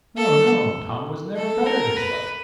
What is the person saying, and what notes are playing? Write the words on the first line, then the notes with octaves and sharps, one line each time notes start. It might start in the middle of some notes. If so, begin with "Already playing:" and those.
"No, no, Tom was never better in his life."
A4
A4
A#4
B4